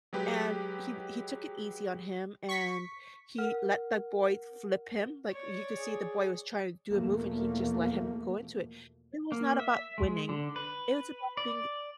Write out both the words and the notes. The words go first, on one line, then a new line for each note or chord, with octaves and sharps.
and he he took it easy on him, and he let the boy flip him, like, he could see the boy was tryna do a move, he just let him go into it. It was not about winning, it was about being
F#3 G#3 G4 B4
C#6 B6
A#4 F#5 F6
C#5 D5
G#4
E2 B2 F3 A3 A#3
A#3
E5
G#3
D3
B4
D5